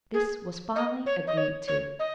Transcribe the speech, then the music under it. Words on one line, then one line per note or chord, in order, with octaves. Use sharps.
This was finally agreed to.
G#4
D#5
C#5
D#5
C#5
C#5
D#5